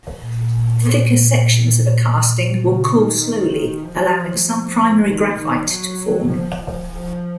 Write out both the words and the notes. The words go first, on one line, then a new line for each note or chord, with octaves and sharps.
Thicker sections of a casting will cool slowly, allowing some primary graphite to form.
A#2
C#3
D#3
F3
D#3
D#3
F#3
F3
F3
F3